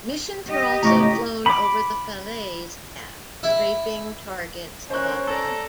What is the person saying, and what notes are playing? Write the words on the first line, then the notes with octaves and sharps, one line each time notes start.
Missions were also flown over the Falaise Gap, strafing targets of opportunity.
G4 D#5
C#2 A2 A#5 C#6 D6
B5 D6
E4
C#4 A#4 C5 C#5 F#6
A4 D5 A#5